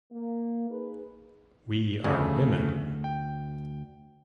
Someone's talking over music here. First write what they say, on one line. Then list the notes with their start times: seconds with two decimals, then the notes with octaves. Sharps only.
We are women.
0.12 A#3
0.70 D#4 G#4 B4
2.04 D2 C#3 F3 A3
3.04 G5